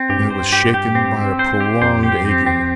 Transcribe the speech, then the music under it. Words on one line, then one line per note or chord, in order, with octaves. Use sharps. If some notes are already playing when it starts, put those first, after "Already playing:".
Then it was shaken by a prolonged ague.
Already playing: C4
G2 G4
C5
G4
G4
C4
C4
C5
G4
F2 C5
G4
C4
C4